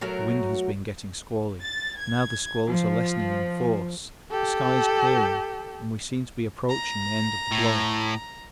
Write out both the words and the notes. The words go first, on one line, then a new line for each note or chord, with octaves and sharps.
The wind has been getting squally: now the squalls are lessening in force, the sky is clearing and we seem to be approaching the end of the blow.
F#3 A3 F#4 A#4
A6
G#6
F3
G4 A4
A#5
A2